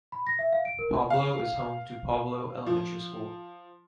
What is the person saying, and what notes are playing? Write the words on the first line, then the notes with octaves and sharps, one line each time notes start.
Pablo is home to Pablo Elementary School.
B5
A#6
E5
F5
D7
A#4
F5
F3